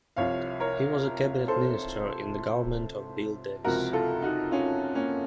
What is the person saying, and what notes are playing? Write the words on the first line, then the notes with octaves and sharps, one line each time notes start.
He was a cabinet minister in the government of Bill Davis.
C2 C3 F3 C#5 F5
A#4 C#5
A4 C5
C#2 C3 F3 F#4 A#4
F4 A4
D#4 F#4
C#4 F4
A#3 C#4